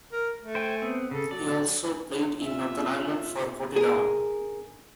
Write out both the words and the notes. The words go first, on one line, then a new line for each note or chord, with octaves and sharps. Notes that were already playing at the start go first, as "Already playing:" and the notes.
He also played in Northern Ireland for Portadown.
A#4
A3
C5 G5 G#5
B3 C4
C#3 A4
F#3 D5
F4 E5
G#4 A#4